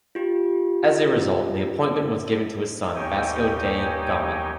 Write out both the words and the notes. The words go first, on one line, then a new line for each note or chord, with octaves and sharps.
As a result, the appointment was given to his son, Vasco da Gama.
F4 G4
D#2 D#4 G4 C#5 G5 G#5